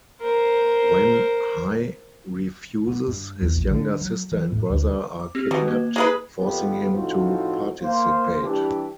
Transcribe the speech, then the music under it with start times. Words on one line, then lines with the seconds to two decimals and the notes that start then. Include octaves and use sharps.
When Hai refuses, his younger sister and brother are kidnapped, forcing him to participate.
0.22 A#4 C5
2.87 B3
3.08 G2
3.41 E2
3.56 A#1
3.70 D3
4.01 F#3
4.32 E3
4.52 A2
4.70 D2
5.19 D6
5.35 C4 G4 F6
5.51 B2 D#3
5.68 A#3
5.96 G#3 G#4 B4
6.38 F2 G3 B3 G4 B4
6.92 A2 F3 C4 D#4 F#4
7.80 A#3 C5
8.44 E3 G3 D4 G4